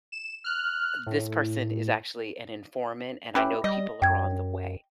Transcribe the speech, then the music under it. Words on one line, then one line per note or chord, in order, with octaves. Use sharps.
this person is actually an informant, and I know people are on the way."
E7
F6 F#6
A2
C#4 E4 G4 B4
G3 D#5
F#2 G5 G#6